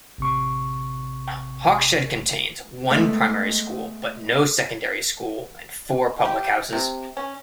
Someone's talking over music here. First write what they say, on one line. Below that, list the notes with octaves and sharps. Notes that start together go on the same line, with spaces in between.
Hawkshead contains one primary school but no secondary school and four public houses.
A1 C3 C#6
G#3 A3 B3
G4
C3
C#4